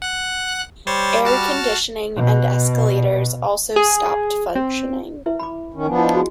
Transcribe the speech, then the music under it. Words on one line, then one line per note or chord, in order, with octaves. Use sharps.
Air-conditioning and escalators also stopped functioning.
F#5 F#6
G3 C5 C#5 A6
F#4 A5 F6
B2
G#4
C4
E4 B4 E5
B5 D6
D#3 C#4
F3 B3 D4 G#5
E4 D#5
F#4 G#4